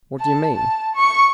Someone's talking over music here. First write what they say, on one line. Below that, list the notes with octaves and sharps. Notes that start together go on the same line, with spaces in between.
"What do you mean?"
A5
A5
C#6